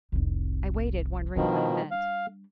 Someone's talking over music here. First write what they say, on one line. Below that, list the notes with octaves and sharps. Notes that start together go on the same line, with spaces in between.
I waited, wondering what it meant.
F1 C2
B2 D#3 F3 G3 D4
F5